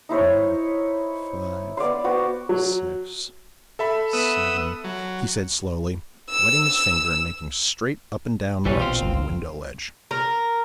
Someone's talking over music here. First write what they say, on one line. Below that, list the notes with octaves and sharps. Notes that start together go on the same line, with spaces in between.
"Four, five, six, seven," he said slowly, wetting his finger and making straight up and down marks on the window ledge.
D#4 E4 C5 C#5
B3 D5 F5 C6
B3 F#4 C5
F#3
A4 E5 B5
B3 D#6 E6
F#3
E6
A#1 B2 E3 G3 C#4
C4 F4
G1 C#2
A#4